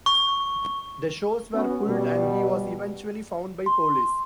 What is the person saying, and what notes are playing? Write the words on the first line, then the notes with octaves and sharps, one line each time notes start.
The shows were pulled and he was eventually found by police.
C#6
B3 C#4 F#4
B2 G3
C6